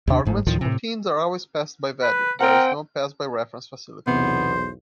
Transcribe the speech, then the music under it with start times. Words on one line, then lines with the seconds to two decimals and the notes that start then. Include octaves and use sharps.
Arguments to routines are always passed by value; there is no pass-by-reference facility.
0.07 D#2 C3 D4
0.25 G1 G#2 A3
0.47 D2 A2 D#3 F3
0.61 A2 C3
2.03 B4
2.41 C4 A#4 F#5 G5
4.07 B1 E2 C3 B3 C5